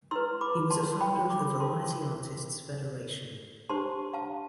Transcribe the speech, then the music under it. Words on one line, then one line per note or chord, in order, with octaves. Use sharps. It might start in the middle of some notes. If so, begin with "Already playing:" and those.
He was a founder of the Variety Artists Federation.
E4 B4 C6 E6
B5 D6
A5 C6
G5 B5
B5 D6
A5 C6
D4 G4 C5 A5 C6
F5 A5